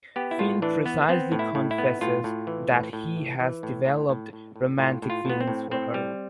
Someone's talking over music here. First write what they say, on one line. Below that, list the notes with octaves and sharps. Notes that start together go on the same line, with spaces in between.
Finn precisely confesses that he has developed romantic feelings for her.
B3 G4
E4
A2 F4
E3 D4
B3
B3 C4
A2
E4
A2
E4
B3
A2 F4
A2
E3
A2
A2
E3
E3
A2
A2
A2
A2
A2
A2 F4
A2
F4
A2 B3
C4
A2
A2 C4
G3